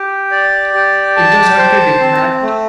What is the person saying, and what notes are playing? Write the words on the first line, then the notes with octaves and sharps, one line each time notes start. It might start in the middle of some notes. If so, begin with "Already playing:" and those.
It does her credit, Mat!
Already playing: G4
D5
G4
A5
C5
C4
A3